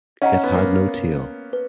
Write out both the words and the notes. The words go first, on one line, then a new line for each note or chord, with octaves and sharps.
It had no tail.
C#4 D#5 F#5 A#5
C#4
B3
A#3
B4